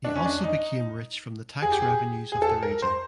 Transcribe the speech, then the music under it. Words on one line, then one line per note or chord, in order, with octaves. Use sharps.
He also became rich from the tax revenues of the region.
D4
C#4
D4
D#4
G#4
G4
G#4
G#4
A4
A#4
C5